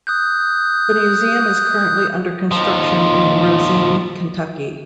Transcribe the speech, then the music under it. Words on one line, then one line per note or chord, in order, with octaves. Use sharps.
The museum is currently under construction in Rosine, Kentucky.
D#6 F#6 G6
D#2 F3